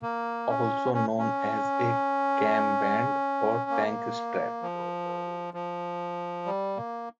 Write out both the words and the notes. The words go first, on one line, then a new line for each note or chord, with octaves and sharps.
Also known as a cam band or tank strap.
A#3
C#4
C#4
C#4
A#3
F3
F3
G3
A#3